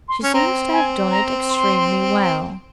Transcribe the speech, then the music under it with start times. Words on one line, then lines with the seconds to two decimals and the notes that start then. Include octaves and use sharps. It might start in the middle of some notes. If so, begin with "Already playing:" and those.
She seems to have done it extremely well.
0.09 C6
0.23 C#4
0.34 C4 A#5
0.73 G#5
1.11 A#5
1.50 C6